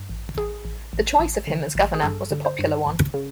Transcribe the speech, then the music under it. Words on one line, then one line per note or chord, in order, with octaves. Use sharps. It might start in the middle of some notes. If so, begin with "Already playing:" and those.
The choice of him as governor was a popular one.
Already playing: G2
A1
A1 G#4
A1
A1
A1
D3
A1
G#4
G2 A4
D3
C5
G2
G1
C#3